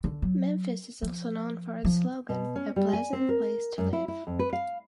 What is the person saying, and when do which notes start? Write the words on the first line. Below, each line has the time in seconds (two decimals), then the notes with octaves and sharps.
Memphis is also known for its slogan, A Pleasant Place To Live.
0.04 D3
0.22 F#3
1.03 F3
1.85 F3
2.29 B2
2.56 C#4
2.76 G3
2.93 G#5
3.13 C4
3.29 A#4
3.78 F#2
3.93 E4
4.08 E4
4.27 F2
4.39 B4
4.53 F5